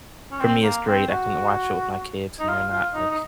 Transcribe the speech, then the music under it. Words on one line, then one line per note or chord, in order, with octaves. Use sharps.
for me is great, I can watch it with my kids and they're not, like
C#4
C4
A#3
C4
F#4
D#4
F4
F4
D#4
D#4